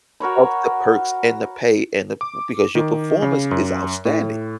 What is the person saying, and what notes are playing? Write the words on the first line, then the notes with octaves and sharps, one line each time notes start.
of the perks and the pay and the because your performance is outstanding.
F#4 A#4 C#5 B5
D6
D#3
C#3
F#2
A2